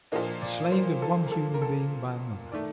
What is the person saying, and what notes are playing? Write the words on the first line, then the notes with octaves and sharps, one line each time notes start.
The slaying of one human being by another.
A#2 F3 A#3 D4 D#5
D5
C5
A4
A#4
A4
A#4
A4
D#3 A3 D5